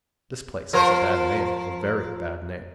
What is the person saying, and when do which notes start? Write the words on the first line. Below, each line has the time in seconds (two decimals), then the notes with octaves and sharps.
This place has a bad name,--a very bad name.
0.73 F3 A#4 C5